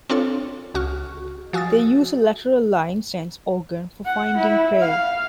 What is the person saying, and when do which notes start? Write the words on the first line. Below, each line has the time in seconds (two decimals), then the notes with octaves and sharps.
They use a lateral line sense organ for finding prey.
0.10 C4 D4 F4 A4 C#5
0.74 C#2 F#4 C#6 F6
1.53 F3 F#4 G#5 D#6 E6 A6
4.06 F#5
4.37 E4
4.81 F5